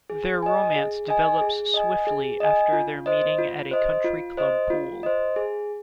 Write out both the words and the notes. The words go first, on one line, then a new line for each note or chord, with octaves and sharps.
Their romance develops swiftly after their meeting at a country-club pool.
G#4
D#5 G#5
G#4
D#5 G#5
G#4
D#5 G#5
G#4
D#5 G#5
F4
C5 D#5
F4
C5 D#5
F4
C5 D#5
F4
C5 D#5
G#4